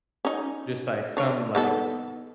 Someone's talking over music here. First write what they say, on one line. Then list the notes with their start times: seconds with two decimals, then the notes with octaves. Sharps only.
just, like, some, like,
0.25 C#4 D#4
1.17 D4 C#5
1.55 D#3 B3 A4